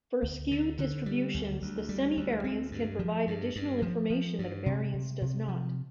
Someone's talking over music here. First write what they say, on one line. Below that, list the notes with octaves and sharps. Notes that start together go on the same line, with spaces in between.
For skewed distributions, the semivariance can provide additional information that a variance does not.
D2
D3
D3
G3
D2
D2
G3
D2
C4
G2
F3
G2
G2
F3
F3
G2
C3
C3
C3
F3